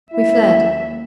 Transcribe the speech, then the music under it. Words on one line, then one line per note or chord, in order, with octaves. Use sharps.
We fled.
D#2 C#4 E4 E5